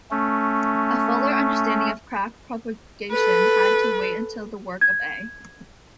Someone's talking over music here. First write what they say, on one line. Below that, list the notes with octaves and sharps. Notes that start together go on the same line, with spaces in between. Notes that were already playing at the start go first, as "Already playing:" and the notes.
A fuller understanding of crack propagation had to wait until the work of A.
A3 C#4
A4 B4
G#6